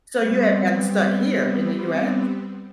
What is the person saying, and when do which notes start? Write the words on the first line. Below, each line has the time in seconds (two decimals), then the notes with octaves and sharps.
So you had gotten stuck here in the US?
0.17 G3 B3 C4